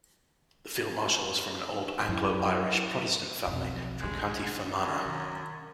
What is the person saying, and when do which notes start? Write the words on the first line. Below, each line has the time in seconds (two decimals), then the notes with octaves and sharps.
The Field Marshal was from an old Anglo-Irish Protestant family from County Fermanagh.
2.09 F#2 E4
3.47 B1 F2
4.01 D#3 G#3 D4
4.81 F#2
5.05 D#3